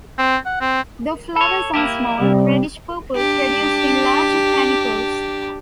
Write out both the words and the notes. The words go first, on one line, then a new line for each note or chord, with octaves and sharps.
The flowers are small, reddish-purple, produced in large panicles.
C4
F#5
C4
A4 C#5
A#3 E4 G4
C3 G3
D4 G4